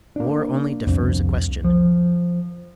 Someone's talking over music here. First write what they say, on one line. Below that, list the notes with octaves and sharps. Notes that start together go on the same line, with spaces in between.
War only defers a question.
A#3 D4
C2 F2
F3